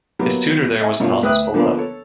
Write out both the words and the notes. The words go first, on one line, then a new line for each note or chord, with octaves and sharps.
His tutor there was Thomas Balogh.
F#3 A#3 B3 E4 G4 A#4
D#5 E5 G#5
G2 B2 A#3 D4 F4 C#5
D2 B4 E5 G5 D#6 F#6
D3 F3 A#3 B3 D4
A4 C#5